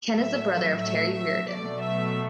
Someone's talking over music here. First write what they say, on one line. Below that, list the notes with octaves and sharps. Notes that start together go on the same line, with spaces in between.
Ken is the brother of Terry Reardon.
A2 F#3 A3 E5
E5
E5
B2 F#3 A3 D5
E5